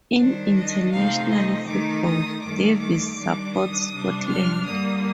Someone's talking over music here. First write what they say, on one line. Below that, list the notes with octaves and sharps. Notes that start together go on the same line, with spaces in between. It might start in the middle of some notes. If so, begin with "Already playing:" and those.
In international football Davies supports Scotland.
D#3 G3 D4 C5
D#5
C3 F3 A3 C4 D#4 F5
D#5
D#3 A3 D#4 D6
D#6
G2 D#3 A3 D6
D6
D#3 G3 D4
D#6
C3 G3 D4
F6
G2 D3 G3 A#3 D#6